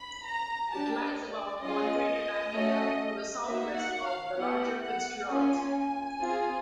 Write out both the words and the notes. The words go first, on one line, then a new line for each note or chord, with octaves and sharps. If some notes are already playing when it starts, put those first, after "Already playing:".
It lies about one crater diameter to the southwest of the larger Fitzgerald.
Already playing: B5
A#5
D4 G4 A5
D#5
D5
C#4 F4 G#4 D#5
A3 C#4 F#4
A#3 D#4 F#4 E5
F#5
F5
B3 E4 G4 F#5
F#5
A#3 C#4 F4 G#5
C4 F4 G#4